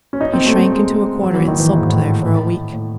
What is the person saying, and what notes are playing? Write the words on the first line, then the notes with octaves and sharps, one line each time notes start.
He shrank into a corner and sulked there for a week.
C#4
D#4
C4
A3
A3
G#3
F#3
E3
D#3
E3
G#2
A2
A2
A2